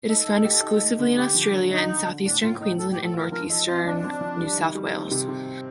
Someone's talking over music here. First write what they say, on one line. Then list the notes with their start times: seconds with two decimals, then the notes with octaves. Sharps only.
It is found exclusively in Australia in southeastern Queensland and northeastern New South Wales.
0.09 D#4 A4
0.28 D#4
0.45 G4
0.63 D#4
0.81 A3
0.99 D3
1.17 D3 G4
1.35 F3
1.53 D3
1.71 D3 D#4
1.89 D3
2.07 D3
2.24 A2 D4
2.42 A2 F4
2.60 A2 D#4
2.78 A2 A4
2.92 G4
2.97 A2
3.05 A4
3.14 F4 A#4
3.32 F3 A#4
3.50 D#4 A4
3.68 C4 F4
3.85 F3 D4
4.04 C4
4.21 F3
4.40 G3
4.57 D#3
4.75 G3
4.93 D#3 C4
5.11 C3
5.29 C3